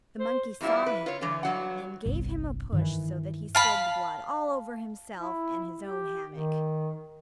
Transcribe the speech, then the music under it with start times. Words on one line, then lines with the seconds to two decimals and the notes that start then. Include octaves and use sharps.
The monkey saw him and gave him a push so that he spilled the blood all over himself and his own hammock.
0.20 C5
0.61 E2 E3 G3 E4 F4
0.86 B4
1.06 F4 C#5
1.21 D3 E3
1.43 G2 F#3 F#5
2.06 G1 C2
2.72 G2 D#3 E3
3.55 F5 A5 B5
5.16 E4
5.81 G4
6.31 D#3